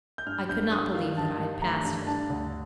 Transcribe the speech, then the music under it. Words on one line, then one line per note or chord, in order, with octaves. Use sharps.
I could not believe that I had passed it.
G6
G2 F6
G2 G6
G2 D#6
D#3 F5
G2 A5
G2
A3 A#5
G2
D4 A5
D2